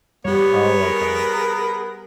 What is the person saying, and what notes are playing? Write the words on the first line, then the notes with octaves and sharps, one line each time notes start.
Oh, okay.
G3 B3 G4 C#5
G#4 A#4